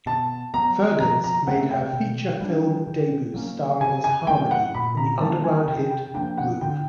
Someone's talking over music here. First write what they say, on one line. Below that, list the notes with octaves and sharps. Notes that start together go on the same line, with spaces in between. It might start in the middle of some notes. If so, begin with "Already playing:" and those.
Firgens made her feature film debut starring as Harmony in the underground hit "Groove".
B2 A5
F#3 B3 A#5
F3 A#5
A#5
A3 C4 F#5
G5
B2
G3 A#3 D4
C#3
F#3 A#3 C#4
C#3 G#5
G#5
F#3 A3 C#4 G5
F#5
A#2 B5
A#5
G3 A#3 C#4 A5
G#5
C3 G5
G5
F3 A#3 D4 G5
F#5
D3 G5